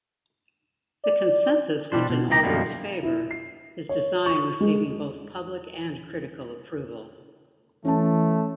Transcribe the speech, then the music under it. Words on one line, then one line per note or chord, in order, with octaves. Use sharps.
The consensus went in Allward's favour, his design receiving both public and critical approval.
D5
B2 G3 D4 C5
B2
C#2 C3 D#4 G4 A#5
F#2 B2 E3 F3 G3 A#3
E4
C7
C#5
C#6
G#3
E3 A3 C#4 A5